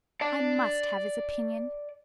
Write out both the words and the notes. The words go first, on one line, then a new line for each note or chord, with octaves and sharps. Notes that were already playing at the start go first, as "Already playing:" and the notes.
I must have his opinion.
D5 A5